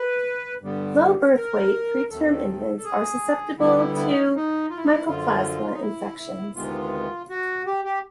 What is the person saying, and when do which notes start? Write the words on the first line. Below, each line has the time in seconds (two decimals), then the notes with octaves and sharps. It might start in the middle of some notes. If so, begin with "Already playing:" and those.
Low birth-weight, preterm infants are susceptible to "Mycoplasma" infections.
Already playing: B4
0.61 G2 D3 G3 B3
1.36 A#4
2.11 D#2 D#3 F#3 A3 C4 A4
2.78 A4
2.84 G#4
3.59 D2 D3 G3 B3 E4
3.77 E4
3.96 E4
4.09 D#4
4.36 D#4
4.70 F4
4.77 E4
4.85 D#4
4.92 E4
5.07 F#2 D3 F3 F4
5.74 D#4
5.82 E4
6.18 E4
6.55 D2 C3 D#3 G#3 B3 F4
7.29 F#4
7.66 G4
7.85 G4